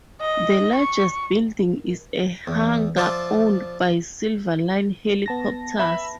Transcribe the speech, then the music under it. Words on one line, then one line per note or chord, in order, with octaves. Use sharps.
The largest building is a hangar owned by Silverline Helicopters.
D#5
C#6
E2
F3 F4 D5 E5
B3 A5 A#6
E5 B5